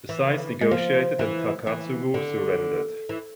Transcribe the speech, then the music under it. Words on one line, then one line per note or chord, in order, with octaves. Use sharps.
The sides negotiated and Takatsugu surrendered.
E3
G#3
F3
E3
E3
D3
E3